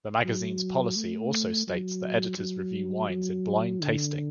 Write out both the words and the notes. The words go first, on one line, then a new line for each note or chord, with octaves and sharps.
The magazine's policy also states that editors review wines in blind tasting.
F#3
A3
F#3
F#3
F#3
D3